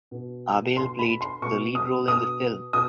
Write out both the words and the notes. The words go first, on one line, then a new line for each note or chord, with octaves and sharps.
Aabel played the lead role in the film.
B2
B2 C6
B5
C6
B2 C#6
D#6
B2 D#6
B2 D#6